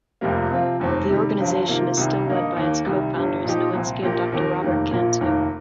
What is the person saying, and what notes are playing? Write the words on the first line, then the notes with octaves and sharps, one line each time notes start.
The organization is still led by its co-founders, Nowinksi and Doctor Robert Cantu.
F1 F2 C3 G3 A#3
C3 F3 C4 F4
F1 D#2 D#3 C4
C3 D#3 G3
G1 G2 F3
C3 D#3 A#3 F4
C2 C3 D#3 G3
G2 D#3 A#3 D#4
D#2 D#3 A#3
C2 C3 D#3 G3
G1 G2 G3
A#2 F3 D#4 G4
C2 A#2 F3 C4 F4
A#1 A#2 A#3 G4 A#4
D#2 D#3 C4 G4 A#4
F1 D#2 D#3 A#3 G4
A#1 A#2 A#3
F1 D#2 D#3 A#3